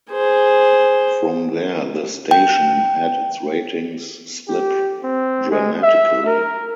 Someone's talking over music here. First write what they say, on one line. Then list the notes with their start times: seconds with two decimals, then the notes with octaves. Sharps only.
From there, the station had its ratings slip dramatically.
0.11 G#4 C5
2.31 G5
4.48 G4
5.03 C4
5.51 G#3
5.83 E5
6.26 A#4